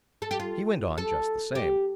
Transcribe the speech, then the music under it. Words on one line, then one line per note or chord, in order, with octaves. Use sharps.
He went on just the same.
A4
G4
F4
A4
G4